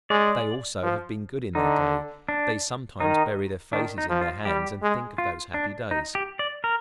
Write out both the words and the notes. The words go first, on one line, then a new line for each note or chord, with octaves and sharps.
They, also, have been good in their day; they sometimes bury their faces in their hands and think of those happy days.
G#3 D5
F3
D3 D#4
D4
D#3 D#4
D#3 D4
D#4
F3
F4
G3 G4
G#3
F4
D4
D#4
G4
D5
A#4